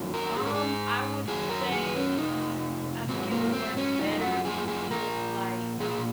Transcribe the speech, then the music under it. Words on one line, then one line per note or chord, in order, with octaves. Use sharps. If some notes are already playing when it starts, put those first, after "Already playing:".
Um, I would say I think it will work better in fields like
Already playing: F2 D#3 F#3
A#4
G#2 F3 G#4
A#4
G#4
F#2 D#3 F#3 G#4
A#4
G#4
C#4
F2 C3 D#4
G#2 F#3 C4
A#3
C4
C#4
F#2 F3 D#4
F#4
G#4
G#4
A#2 F3 A#4
A#2 F3 G#4